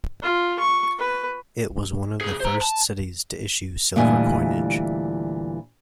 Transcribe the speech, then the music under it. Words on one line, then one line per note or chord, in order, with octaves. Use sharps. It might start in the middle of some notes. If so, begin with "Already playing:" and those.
It was one of the first cities to issue silver coinage.
F4
C#6
B4
C2 G#4
C5 A#5
A5
D2 A#2 E3 G3 D#5 G#5